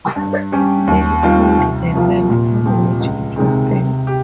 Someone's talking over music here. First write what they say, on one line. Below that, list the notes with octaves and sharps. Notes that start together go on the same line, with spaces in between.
They owned the land on which it was built.
G2
G3 C#4 G4
D#2
D#3 G3 C4 F4
C2
C3 F3 A#3 F4
A#2
F3 C4 G4
C#2
C3 D#3 G#3 C4
C3
G4